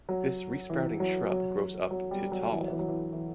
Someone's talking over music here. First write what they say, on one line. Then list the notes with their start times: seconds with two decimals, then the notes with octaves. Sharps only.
This resprouting shrub grows up to tall.
0.09 F#3
0.70 E3
1.00 F#3
1.30 F#3
1.91 F#3
2.11 G3
2.32 F#3
2.52 E3
2.60 F#3
2.70 E3
2.79 F#3
2.88 E3
3.13 E3